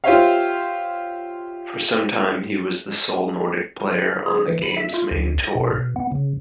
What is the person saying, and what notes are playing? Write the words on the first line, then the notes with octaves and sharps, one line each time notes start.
For some time he was the sole Nordic player on the game's main tour.
F4 G4 C5 C#5 E5 F5
G#4
E3
B5
E5
F4
D2
A#6
B2
B2
B3
C#3